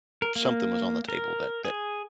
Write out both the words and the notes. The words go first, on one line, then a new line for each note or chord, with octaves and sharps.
something was on the table that that
A#4
A#3
A#4
G#4